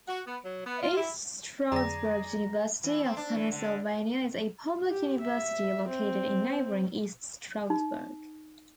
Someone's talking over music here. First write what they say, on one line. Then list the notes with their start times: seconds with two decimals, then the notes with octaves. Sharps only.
East Stroudsburg University of Pennsylvania is a public university located in neighboring East Stroudsburg.
0.08 F#4
0.27 B3
0.45 F#3
0.66 B3
0.83 F4
0.97 E4
1.72 F2 D3 F#3 G#4 D5 A#5 A#6
2.84 E3
3.04 C4
3.17 D4
3.35 E3
3.52 D3
4.89 G4
5.20 E5
5.88 C4
7.70 D#4